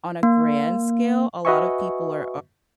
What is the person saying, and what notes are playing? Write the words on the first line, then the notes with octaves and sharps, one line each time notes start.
on a grand scale, a lot of people are
A#3
F#4 B4 D#5 E5 G#5 C#6